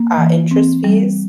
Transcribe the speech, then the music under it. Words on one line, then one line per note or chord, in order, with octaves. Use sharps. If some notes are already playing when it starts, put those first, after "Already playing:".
uh, interest fees,
Already playing: A#3
E3
C4
G3